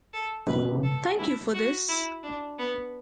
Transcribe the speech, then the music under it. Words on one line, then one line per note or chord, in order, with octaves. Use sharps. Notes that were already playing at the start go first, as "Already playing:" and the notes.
Thank you for this.
A4
B4
A4
E4
F#4
E4
D4
B3